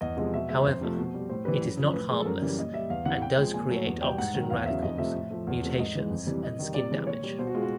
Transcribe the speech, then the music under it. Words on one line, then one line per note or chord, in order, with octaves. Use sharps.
However, it is not harmless and does create oxygen radicals, mutations and skin damage.
E2 D#5
C3 F3 G#3 D#5
B2 E5
G#3 E5
F2 C5
C3 F3 A3
B2
G3
A2 C5
E3 G3 B4
F#2
C#3 F3
A2 B4
F3 G#3 G#4
A4
F#2 A#4
C#3 E3 G3
A#2 D#5
G3 E5
E2 F5
C3 E3 F#5
C3 G5
F3 G#3
A#2 G#5
F#3 A3
E2
B2 G3 G5
G#2 F#5
D#3 F#3
E2 F5
C#3 F#3 E5
F2 D#5
C3 F3 A3 E5
A2
F3 A3
E2
C3 F3 A3
G#2 D#5
E3 G#3
F2
C3 E3 G3
C3 D#5
D#3 G3
C3 D5
E3 G#3
A#2 C#5
G3
B2 C5
F#4
G#3 F4
F#4